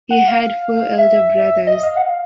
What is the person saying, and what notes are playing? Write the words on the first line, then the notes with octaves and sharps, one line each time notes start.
He had four elder brothers.
F#5
F5
E5
D#5
F5
F#5
F5